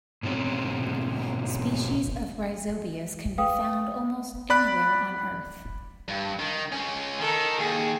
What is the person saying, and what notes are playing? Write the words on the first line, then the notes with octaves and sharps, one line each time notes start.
Species of "Rhyzobius" can be found almost anywhere on Earth.
G#2 B2 D3 C4 C#4
B4 F5 G5 D#6
D5 B5 F#6
G2
D#3
G#3 C#4
D#3 A4 A#4
D#2 G#4